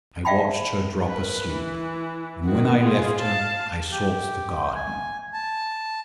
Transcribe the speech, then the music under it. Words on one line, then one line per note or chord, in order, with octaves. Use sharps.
I watched her drop asleep, and when I left her, I sought the garden.
D5 E5 F5 G5 A5 B5
A#4 B4
E3
D#3 F#4
F4 G#4
F5 A5
G4
G#5
A5